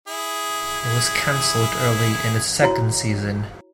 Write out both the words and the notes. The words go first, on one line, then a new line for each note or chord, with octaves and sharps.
It was cancelled early in its second season.
E4 G#4
E4 F#4 C#5 A#5